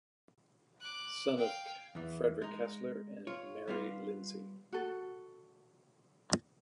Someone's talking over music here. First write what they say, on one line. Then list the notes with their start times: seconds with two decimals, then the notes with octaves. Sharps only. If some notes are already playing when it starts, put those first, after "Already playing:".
Son of Frederick Kesler and Mary Lindsay.
0.81 D6 F#6
1.37 F5 G5
1.95 E2 E3
2.42 G#3 D#4
3.27 F4 C#5
3.68 G3 B3 F4
4.72 F#4 A4